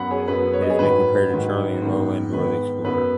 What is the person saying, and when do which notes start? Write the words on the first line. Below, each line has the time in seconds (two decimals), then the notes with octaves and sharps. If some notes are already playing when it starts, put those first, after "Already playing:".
It has been compared to Charlie and Lola and Dora the Explorer.
Already playing: F#2 F#3 B3 F#5 B5
0.11 G#4 C#5
0.28 F#2 F#3 B3 B4
0.53 C#5
0.62 D#5
0.70 G#4 C#5
0.79 G#2 D#3 F#3 B4
1.30 G#2 D#3 F#3
1.82 G#2 D#3 B3
2.33 G#2 D#3 B3 B4
2.84 F#2 F#3 B3 B4